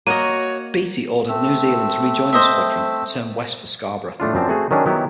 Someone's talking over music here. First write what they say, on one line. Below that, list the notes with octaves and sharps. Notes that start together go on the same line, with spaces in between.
Beatty ordered "New Zealand" to rejoin the squadron and turned west for Scarborough.
A#3 F#4 C#5 D#5 D#7
A3 C4 E6
C5 D#5 E5
A2 A3 D4 F4
F#2 F3 C4 D4
A3 C4 F#4 G#4
D#3 F#3 C#4 D4
D#3 F#3 B3 E4 G4